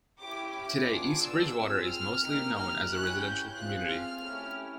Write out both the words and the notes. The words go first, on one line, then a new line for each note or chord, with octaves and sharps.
Today, East Bridgewater is mostly known as a residential community.
C#4 E4 G4 D6
D6
B3 D4 F4 G#4
E6
C4 F4 G#4
F6
A#3 D#4 G4
F6
C#4 E4 G4 F#6
G6
C4 F4 G#4 F#6
F6
A3 C#4 E4 G4